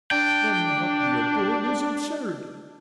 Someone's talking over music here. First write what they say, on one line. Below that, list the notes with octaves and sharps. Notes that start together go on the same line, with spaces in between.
"Then what we are doing is absurd!"
D4 G5